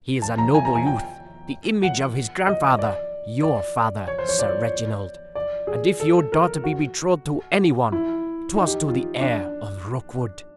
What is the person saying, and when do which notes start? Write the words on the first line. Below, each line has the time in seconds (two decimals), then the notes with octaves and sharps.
He is a noble youth--the image of his grandfather, your father, Sir Reginald; and if your daughter be betrothed to any one, 'twas to the heir of Rookwood.
0.22 A5
0.38 A#5
0.54 G#5
0.65 A#5
0.75 G#5
0.87 G5
1.83 F#5
2.47 D#5
2.79 D5
3.43 D5
4.08 C#5
4.18 C5
4.29 C#5
4.39 D5
5.35 D5
5.67 G#4
6.00 A4
6.32 A#4
6.64 F#4
7.92 E4
8.56 D#4
8.67 G4
8.89 F4
9.21 D4